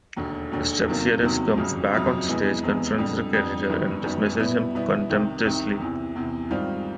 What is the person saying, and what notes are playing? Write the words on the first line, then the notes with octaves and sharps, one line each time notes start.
Strepsiades comes back on stage, confronts the creditor and dismisses him contemptuously.
E1 D#2 D3
E1 D#2 D3
E2 C3 D#3 F#3 A#3
E2 C3 D#3 F#3 A#3
G1 F2 C#3 F#3
G1 F2 C#3 F#3
E2 C3 E3 G#3 B3
E2 C3 E3 G#3 B3
F2 D3 G3
F2 D3 G3
F#2 D#3 G3 B3
F#2 D#3 G3 B3
B2 G3 B3 E4
B2 G3 B3 E4
C2 C3 D#3
C2 C3 D#3
E2 C3 E3
E2 C3 E3
G#2 D#3 G3 C4 F4